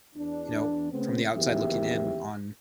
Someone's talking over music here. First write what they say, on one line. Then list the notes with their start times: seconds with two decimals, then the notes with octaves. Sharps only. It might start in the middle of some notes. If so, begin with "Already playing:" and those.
you know, from the outside looking in on
0.15 E2 D4
0.91 C#3 A3 B3 C4
1.34 F#1 E2 D#3 G4 E5